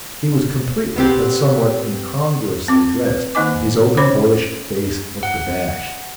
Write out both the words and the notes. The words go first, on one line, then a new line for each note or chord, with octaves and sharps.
He was completely but somewhat incongruously dressed, and his open, boyish face looked abashed.
B3 C4 G4
C4 D6
B4
D#3 A#3 D#4 D#5 G#5 D6
C#4 C5 C#5 B5 D6
F#5